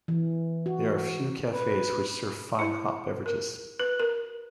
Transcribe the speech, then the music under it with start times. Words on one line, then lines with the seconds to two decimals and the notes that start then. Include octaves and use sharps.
There are a few cafes which serve fine hot beverages.
0.08 E3
0.66 F#4
1.53 B4
2.59 E4
3.26 A#4
3.80 B4
4.00 A#4